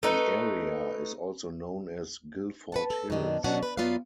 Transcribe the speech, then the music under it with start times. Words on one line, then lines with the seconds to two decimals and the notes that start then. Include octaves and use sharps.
The area is also known as Guilford Hills.
0.03 A3 D#4 B4
2.72 B4 F#5 A5
2.90 A4
3.10 F#2 B2 D#3 D4
3.44 B2 F#3 C#4 D4 D5 F#5
3.63 B4
3.77 F#2 B3 F4 B4 D5 F5